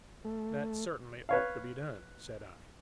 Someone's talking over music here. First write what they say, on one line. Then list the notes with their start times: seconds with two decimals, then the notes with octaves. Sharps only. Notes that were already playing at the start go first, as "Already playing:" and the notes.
"That certainly ought to be done," said I.
0.25 A3
1.29 B4 C#5 F5